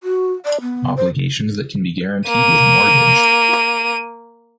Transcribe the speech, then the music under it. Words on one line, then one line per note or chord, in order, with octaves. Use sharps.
Obligations that can be guaranteed with a mortgage.
F#4
D5
B3
C5
A#3 D#7